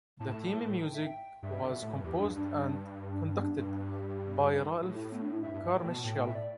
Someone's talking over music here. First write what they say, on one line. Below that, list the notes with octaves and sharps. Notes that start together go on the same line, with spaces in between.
The theme music was composed and conducted by Ralph Carmichael.
A2 A5
G5
E5
G5
G2 E5
D3
B2
A2
G2
E2 G4
G2 D4
G2 D4
D4
D4
D4
B3
D4
G2
G4
A2 G4
G4
E4
B3
D4
E4
G2 E5
G2
G2
A2 G5
B2 A5
A2 G5
E5
D5